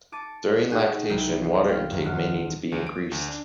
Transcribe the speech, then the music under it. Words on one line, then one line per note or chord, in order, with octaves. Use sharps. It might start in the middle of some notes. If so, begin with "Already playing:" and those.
During lactation, water intake may need to be increased.
A5 D6 A6 C#7 D#7
A3 D#4 F#4 G#4 F#5 G5
C2 F#3 E4 A#4 G5
F5 G5 C6 F6
D#1 F#2
D#1 F#5 F6
D2
D7
D2
D4